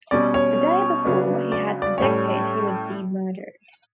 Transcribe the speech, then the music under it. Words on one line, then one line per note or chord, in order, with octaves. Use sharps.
The day before, he had predicted he would be murdered.
B2 G3 C#4 D5
C#5
C#3 F#3 B3 D4
D5
D5
A2 G3 C#4 C#5